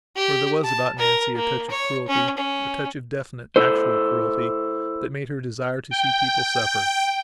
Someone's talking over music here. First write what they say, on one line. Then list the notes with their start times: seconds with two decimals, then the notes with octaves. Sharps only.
For there was about Nancy a touch of cruelty--a touch of definite actual cruelty that made her desire to see people suffer.
0.15 G4
0.64 A5
0.98 A#4
1.35 A#3
1.70 C#5
2.07 C#4
2.37 C#4
3.56 E4 A4 C5
5.91 G5